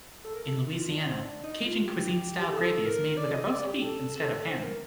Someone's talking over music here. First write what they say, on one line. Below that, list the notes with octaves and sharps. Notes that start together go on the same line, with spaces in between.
In Louisiana, Cajun cuisine-style gravy is made with a roast beef instead of ham.
A4
A#4
A4
F4
D4
C4
D4
D#4
F4
G4
G4
A4
A#4
D5
D#5
D5
G4
A4
A4
C5
C5
A#4